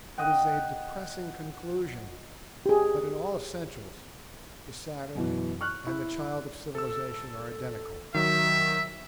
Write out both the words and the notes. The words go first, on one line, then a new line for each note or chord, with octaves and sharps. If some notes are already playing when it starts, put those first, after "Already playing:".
It is a depressing conclusion, but in all essentials the savage and the child of civilization are identical.
D#5 F#5 G5
G4 G#4
F#2 B2 E3
C#6 F6 F#6
E4
A4 E6
D#3 F#3 E5